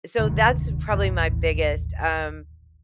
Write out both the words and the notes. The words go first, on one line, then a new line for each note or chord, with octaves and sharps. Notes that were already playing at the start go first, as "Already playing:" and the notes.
so, that's probably my biggest, um
F1 D2 D#3
D#1 A1 E3